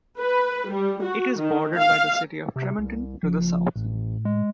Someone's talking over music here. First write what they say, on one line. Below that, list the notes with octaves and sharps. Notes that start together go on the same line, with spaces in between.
It is bordered by the city of Tremonton to the south.
B4
G3
F#4
D#3
F5
C3
C2
F#1 F3
A1 A2
G#3